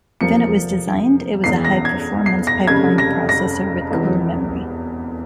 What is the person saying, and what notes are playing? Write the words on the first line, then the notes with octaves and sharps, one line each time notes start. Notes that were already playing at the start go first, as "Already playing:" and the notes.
When it was designed, it was a high-performance pipelined processor with core memory.
F1 E2 C3 F3 A#3 C#7
E1 E2 E3 C7
A#6
G#6
C7
A#6
F1 F2 C#3 G3 C#4 G#6
A#6
A#6
E1 E2 C3 E3 G#3